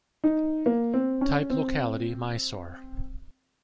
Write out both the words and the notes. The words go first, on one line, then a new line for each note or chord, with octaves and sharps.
Type locality: Mysore.
D#4
A#3
C4
C#4
C4